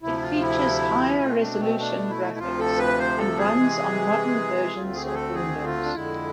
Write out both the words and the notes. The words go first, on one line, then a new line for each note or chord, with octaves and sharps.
It features higher resolution graphics and runs on modern versions of Windows.
D2 C3 F3 E4
F4
E4
B2 A3 C4 F4
D4
C4
D4
E4
E4
D2 C3 F3 F4
A4
B4
C5
A4
G#4
C3 E3 G#3
D2 D3 A3 C4 F4
G#4
G#4
A4
G#4
F4
D4
F2 D3 G#3 E4